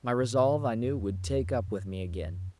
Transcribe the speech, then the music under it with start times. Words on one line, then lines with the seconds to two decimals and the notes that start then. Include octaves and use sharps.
My resolve I knew would take up with me again.
0.22 A2
0.84 G2
0.99 E2
1.05 F#2
1.26 E2
1.47 F#2
1.68 G2
1.88 F#2
2.09 E2
2.30 F#2